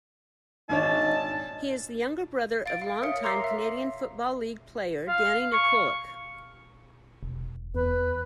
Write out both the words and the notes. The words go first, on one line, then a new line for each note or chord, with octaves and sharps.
He is the younger brother of longtime Canadian Football League player Danny Nykoluk.
G#1 D4 D#4 C#5 D#5 A5
F5 A6 D7
F5
A#4 C#5 E5 F5 D#6 C#7
A#5 C6 D6 E6 A#6 C7
E5
F5
C#6
E1
E2 B4